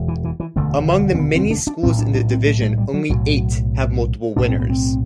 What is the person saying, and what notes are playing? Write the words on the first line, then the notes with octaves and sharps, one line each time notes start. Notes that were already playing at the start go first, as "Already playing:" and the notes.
Among the many schools in the division, only eight have multiple winners.
Already playing: E1 E2
E3
E3
E3
E1 D2 D3 A3
C4
B3
C4
D4
D4
B1 A2 C4
D4
D4
C4
A3
A3
G3
F#3
B1 A2 F#3
B1 A2 D4
C4
B3
C4